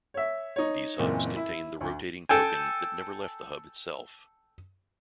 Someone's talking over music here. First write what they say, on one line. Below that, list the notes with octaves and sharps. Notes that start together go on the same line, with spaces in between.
These hubs contained the rotating token that never left the hub itself.
C#5 E5
D#4 C#5
F#1 A#2 E3 C4
E4
D2
A4 G5 G#5